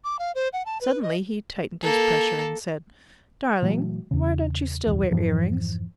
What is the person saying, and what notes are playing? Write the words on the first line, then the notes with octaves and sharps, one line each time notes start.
Suddenly he tightened his pressure, and said, "Darling, why don't you still wear ear-rings?"
D6
F5
C5
F#5
A5
B4
D#5
A#3 A4
A#2 E3 F#3 A3
E2 C#3
D1 B1 E2
F2 G#2 E3 F3